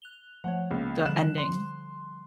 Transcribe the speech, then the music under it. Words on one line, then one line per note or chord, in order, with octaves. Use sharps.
the ending.
F#6 F7 G7
F3 A3 C#5 F#5
C#2 A#3 B3
D3 F3 G3 F#6 E7
C6